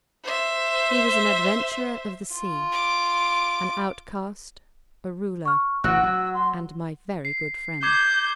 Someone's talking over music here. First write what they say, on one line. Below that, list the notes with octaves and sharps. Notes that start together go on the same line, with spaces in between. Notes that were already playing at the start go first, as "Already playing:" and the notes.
He was an adventurer of the sea, an outcast, a ruler--and my very good friend.
C5 E5
F4
D6
C#6 F6
A1 C3 F#4 E6 F#6
F#3 F#5
C6
C7
D6 G6 G#6 C7